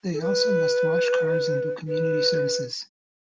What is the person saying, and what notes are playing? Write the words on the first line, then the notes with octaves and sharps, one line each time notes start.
They also must wash cars and do community services.
A4
B4
B4